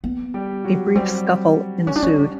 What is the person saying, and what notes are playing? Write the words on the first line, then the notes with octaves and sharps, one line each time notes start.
A brief scuffle ensued.
B3
G3 G4
F#3 F#4
G3 C4 G4
C#4
D4
C#4